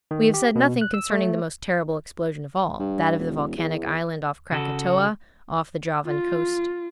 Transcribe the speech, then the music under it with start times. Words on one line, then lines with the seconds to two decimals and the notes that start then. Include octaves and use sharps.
We have said nothing concerning the most terrible explosion of all, that of the volcanic island of Krakatoa, off the Javan coast.
0.11 D#3
0.34 G4
0.55 B2
0.81 F#6
0.94 E6
1.10 A3
2.80 G2
3.19 E1
3.57 E2
4.52 C#3 F#4 A4
6.06 F4